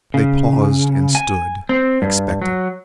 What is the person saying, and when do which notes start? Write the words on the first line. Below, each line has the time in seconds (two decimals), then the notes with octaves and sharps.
They paused and stood, expectant.
0.14 C#3
1.15 G#5
1.69 C4
2.02 G2
2.42 F#3